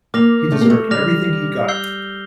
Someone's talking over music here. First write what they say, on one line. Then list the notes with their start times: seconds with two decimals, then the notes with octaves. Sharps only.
He deserved everything he got!
0.14 A#3 D6 F6 A#6 F7
0.52 A3
0.61 A#3
0.70 A3
0.90 G3 D6 F6 A#6 F7
1.68 E6 G6 C7 G7